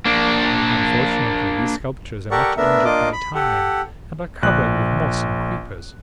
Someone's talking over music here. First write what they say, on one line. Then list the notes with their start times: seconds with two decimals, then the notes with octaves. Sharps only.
Unfortunately these sculptures are much injured by time, and are covered with moss and creepers.
0.05 A#3 D4
2.31 G4 A4 A#4 D5 F#5 C#6
2.57 A3 B3 D4 A#4 E5
2.85 A#3 D4 F4 D#5 D6
3.13 B5
3.35 G4 A4 F#5
4.43 A#1 F#6